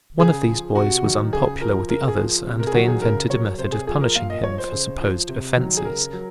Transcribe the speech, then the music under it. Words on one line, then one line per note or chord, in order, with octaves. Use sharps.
One of these boys was unpopular with the others, and they invented a method of punishing him for supposed offenses.
C#3 G#4
F3
C3 F#4
D#3 F#3
C#3 G#4
F3 A#4
C#3 A#4
G#4
F3
C3
A#4
G#4
D#3 F#3 F#4
G#4
C#3 A#4
F#3 C#5
C3 C5
G#4
F3 G#4
A#4
A#2 F5
D#5
F3 C#5
C5
C#3
F3
C3
D#3 F#3
G#4
C#3 A#4
F#3